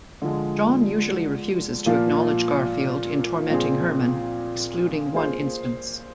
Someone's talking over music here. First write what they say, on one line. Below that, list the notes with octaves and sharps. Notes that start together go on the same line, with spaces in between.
Jon usually refuses to acknowledge Garfield in tormenting Herman, excluding one instance.
D3 F3 G#3
A#2 F3 A#3 F4
A#2 F3 C4 F4 G#4
A#3 F4 G#4 C5